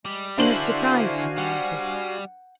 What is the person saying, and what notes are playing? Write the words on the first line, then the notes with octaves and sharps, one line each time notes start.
"You have surprised me," I answered.
G3 G#3
D3 D4 E4 F#4 C5 F5 G#5 F#7
G3 F#5